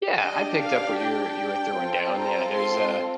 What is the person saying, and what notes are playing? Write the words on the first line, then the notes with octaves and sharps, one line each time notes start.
yeah, I picked up what you're you were throwing down, yeah, there's a
D4 G4 D#5
F5
G5
C4 F4 A4
A#5
C6